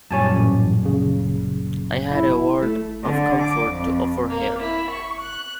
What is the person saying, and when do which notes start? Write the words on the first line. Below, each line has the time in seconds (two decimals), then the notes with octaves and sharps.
I had a word of comfort to offer here.
0.11 F#2 A#2 G3 C#5 G#5 A5
0.32 A1
0.86 C#3
2.12 E4
2.62 A3
3.03 D3
3.41 D6
3.70 F2
4.28 A#3
4.59 E4
4.90 C#6
5.19 F#6